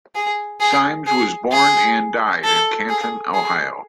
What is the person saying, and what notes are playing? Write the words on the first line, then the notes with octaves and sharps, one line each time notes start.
Saimes was born and died in Canton, Ohio.
G#4
G#4
G#4
G#4
A4
G#4
G#4